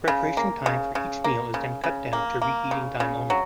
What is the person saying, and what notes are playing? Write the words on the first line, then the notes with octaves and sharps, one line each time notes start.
Preparation time for each meal is then cut down to reheating time only.
C#3
A#3
C#3
C#3
A#3
C#3
C#3
A#3
A#3
C#3
C#3
F#3